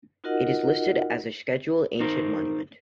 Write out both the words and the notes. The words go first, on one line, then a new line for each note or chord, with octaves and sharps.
It is listed as a Scheduled Ancient Monument.
D#4 F4 F#4 A#4 D#5 F#5
D#4 A#4 C5